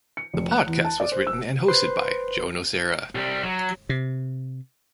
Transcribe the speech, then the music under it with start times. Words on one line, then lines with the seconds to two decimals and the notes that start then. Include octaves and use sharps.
The podcast was written and hosted by Joe Nocera.
0.17 C#7
0.34 F1
0.51 F#6
0.67 E2
0.85 A5
1.00 D5
1.12 C5
1.27 E6
1.68 B4 C5 C6
3.15 C2 G3
3.44 F#3
3.89 C3